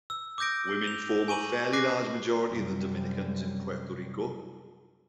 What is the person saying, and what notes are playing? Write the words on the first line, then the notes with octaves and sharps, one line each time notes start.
Women form a fairly large majority of the Dominicans in Puerto Rico.
E6
D6 D#6 G6 A#6 D7
F7
G#5 C#6 D#7 F#7
D6 F#6 A#6 C7
F#2 C3 G3